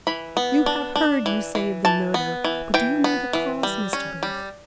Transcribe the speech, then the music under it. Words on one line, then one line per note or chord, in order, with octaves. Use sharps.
You have heard, you say, of the murder; but do you know the cause, Mr. Booth?
E3 B5
B3
D4
D4
E3
E3
E3 A5
B3
E3
E3 G5
B3
E3
G3
C#4
G3